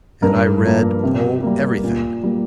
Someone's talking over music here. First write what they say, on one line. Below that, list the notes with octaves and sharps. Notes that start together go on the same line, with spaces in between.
And I read, oh, everything.
G2 A#4
F3 A#3
C3
G3 A#3
A#2
G3 A#3